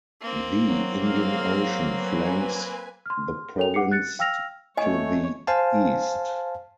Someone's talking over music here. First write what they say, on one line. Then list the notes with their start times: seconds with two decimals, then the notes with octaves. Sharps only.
The Indian Ocean flanks the province to the east.
0.22 A#3 C4
0.66 F#3
1.00 G#4 F5
1.97 B4 G#5
3.06 C6 F6
3.58 A4 C#5 G5 F7
3.74 F#5 D6 C7 C#7
3.91 F#6 A6 C#7
4.19 F5 G5 E6 F6 A#6 F7
4.77 A3 C#5 D#5 G#5
5.47 C5 F5 G#5 A5